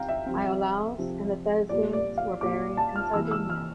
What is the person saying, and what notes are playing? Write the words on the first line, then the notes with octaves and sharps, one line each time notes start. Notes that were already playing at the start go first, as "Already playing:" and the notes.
Iolaus and the Thespians were buried in Sardinia.
Already playing: C3 G3 C4 F5 G5 A#5
E5
C3 F3 C4
C3 F3 C4
A#2 G3 A#3 D5
D5
F5
A#2 G3 A#3 D6
A5
F6
C3 E3 A#3 E6
E6
F6